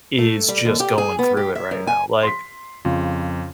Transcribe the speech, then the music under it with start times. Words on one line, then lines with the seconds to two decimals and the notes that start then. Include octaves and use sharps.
is just going through it right now, like
0.18 A3
0.48 G3
0.65 D#2
0.80 G4
0.98 G#4
1.19 B3
1.37 G4
1.55 E5
1.71 F#2
1.87 G#5
2.23 C6 B6
2.85 F2 C#3 F4